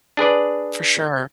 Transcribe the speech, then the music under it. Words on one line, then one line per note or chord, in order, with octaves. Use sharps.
For sure.
D4 G#4 B4 D5